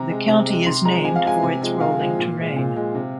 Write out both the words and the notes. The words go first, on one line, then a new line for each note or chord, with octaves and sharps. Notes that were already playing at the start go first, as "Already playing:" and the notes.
The county is named for its rolling terrain.
Already playing: C3 A#5
G#3
C3
G#3
C3 C6
F3 G#3 A#5
C3 G#5
F5
F3 G#3 G#5
C3
F3 G#3
C3 F5
F3 G#3
A#2
F3 G#3
A#2
F3 G#3
C3